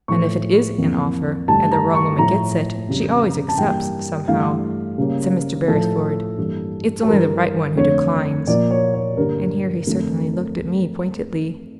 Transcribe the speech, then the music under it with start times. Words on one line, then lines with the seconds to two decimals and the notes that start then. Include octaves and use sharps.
"And if it is an offer, and the wrong woman gets it, she always accepts, somehow," said Mr. Beresford; "It's only the right one who declines!" and here he certainly looked at me pointedly.
0.08 A2 F3 A3 C#6
0.78 F2 E3 A#3
1.48 G2 D3 A3 A5
1.71 A#5
1.95 C#6
2.18 A2 F3 A3 A#5
2.88 F2 C#3 G3
3.48 A5
3.58 G2 E3 G3 A#3 G5
4.28 G2 E3 A3 F5
4.98 C#3 G3 A#3
5.68 A2 F3 A3 A4
6.37 G2 E3 A#3
7.03 A4
7.07 G2 E3 G3 A#4
7.77 F2 D3 A3 C#5
8.47 A#2 F3 A#3 D5
8.71 C#5
8.94 C#5
9.17 G2 D3 G3 A#3 A#4
9.87 F2 D3 A3